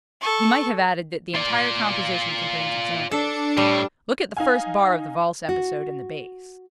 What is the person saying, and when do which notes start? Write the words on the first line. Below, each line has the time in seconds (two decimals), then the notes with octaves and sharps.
He might have added that the entire composition contains examples--look at the first bar of the valse episode in the bass.
0.21 A4 C#6
1.34 F4 D5
3.11 D4 A4
3.57 A2 G3
4.37 D#4 F5 G#5
5.49 F#4